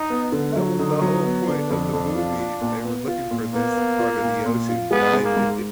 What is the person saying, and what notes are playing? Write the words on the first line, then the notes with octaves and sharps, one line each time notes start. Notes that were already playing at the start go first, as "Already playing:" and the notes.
that was the whole point of the movie. They were looking for this heart of the ocean diamond
Already playing: D#4
B3
D3
F#3
D3 D#4
F#3
B3
D3 D4
F2
F2
F4
F4
A#2
B3
F4
A#2
A#3 B3
B3
F4
A#2
A#2
F4
G#3 B3
G#2
A#3
G#2